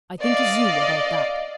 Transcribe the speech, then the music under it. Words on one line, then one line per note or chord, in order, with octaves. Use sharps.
"I think as you about that."
D5 D#5 F5